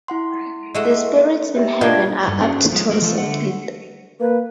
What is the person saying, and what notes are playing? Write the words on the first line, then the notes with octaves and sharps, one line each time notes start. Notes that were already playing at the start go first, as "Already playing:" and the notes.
The spirits in heaven are apt to resent it.
E4 F#5 C6
G#3 A3 F#4
G4 E5
B2 D4 F4 A#4 G5 A5 G#6
G2 A4
C#4 D4 F#4 G#4 C5
F3 G#3
G#3 A#3 F#4 A#4
E3 F3 A3 F4 A4
D3 A3 F#5
A#3 B4